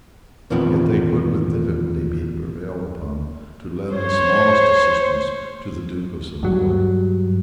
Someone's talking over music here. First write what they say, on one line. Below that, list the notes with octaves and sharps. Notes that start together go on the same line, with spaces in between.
Yet they could with difficulty be prevailed upon to lend the smallest assistance to the Duke of Savoy.
E2 A#2 D#3 F3 B3 C4
C5 C#5
G2 F#3